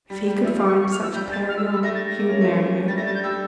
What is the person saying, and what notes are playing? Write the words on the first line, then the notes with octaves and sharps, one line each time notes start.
If he could find such a paragon he would marry her.
G3
G3
F3 E5
F5
C#6
C#6
F6
F3 E6
G3 G6
A6
F6
E6
F6
G3 E6
A3 A#6
A6
A#6
A#3
C#4
A3
A3
G3 A6
A3 A#6
G3 A6
G6
G3 E6